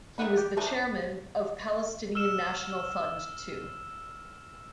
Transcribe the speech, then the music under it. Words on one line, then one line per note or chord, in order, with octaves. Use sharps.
He was the chairman of Palestinian National Fund too.
D#3 F#4 E5 F#5 B5
G4
E3 F3 A3 D4 D#4
E6 F6 E7